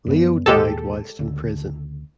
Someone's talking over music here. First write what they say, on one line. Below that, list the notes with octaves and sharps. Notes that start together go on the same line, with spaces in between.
Leo died whilst in prison.
F#2 G3 B3
D#2 A#2 G#3 G4 A4
D2 C#3